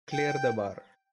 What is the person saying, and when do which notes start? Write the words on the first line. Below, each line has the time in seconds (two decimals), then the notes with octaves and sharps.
Clear the Bar.
0.12 G5